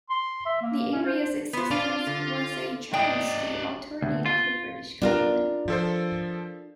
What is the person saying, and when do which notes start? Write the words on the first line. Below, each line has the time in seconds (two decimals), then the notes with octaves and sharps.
The areas' existence was a challenge to the authority of the British government.
0.10 C6
0.46 E5
0.61 A#3
0.91 C#4
1.06 C5
1.53 B3 C5
1.71 D4 F4 F5
2.07 D3
2.94 D4 D#5 G5
4.02 D2
4.26 F4
5.02 D4 F4 A#4
5.68 F3 A4 C5